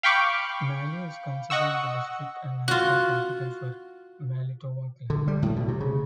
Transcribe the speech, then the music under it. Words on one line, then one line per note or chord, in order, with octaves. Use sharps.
Malie is considered the district and national capital for the Malietoa clan.
F5 G5 B5 C#6 D6
D#5 F#5 C#6 E6
F4 F#4
D3
G3
A2
B2
C3
C#3